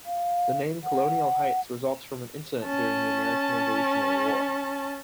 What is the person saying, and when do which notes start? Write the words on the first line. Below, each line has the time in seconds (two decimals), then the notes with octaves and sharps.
The name "Colonial Heights" results from an incident during the American Revolutionary War.
0.06 F5
0.84 F#5
2.65 C#4 A5